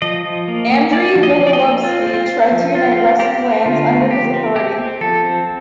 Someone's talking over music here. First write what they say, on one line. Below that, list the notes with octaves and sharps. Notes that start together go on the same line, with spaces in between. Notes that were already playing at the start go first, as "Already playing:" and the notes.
Andrey Bogolyubsky tried to unite Rus' lands under his authority.
F3 D#5
F3
A#3
A#3
A#3 D5
F3
D#5
F3
D5
D#5
A#3
C4 F4
C4
F4
C4
F3
C4 F4
C4
C4 G4
C4
D3 F4
A3
F3 G4
C4
C4 G4
C4
F3 A4
C4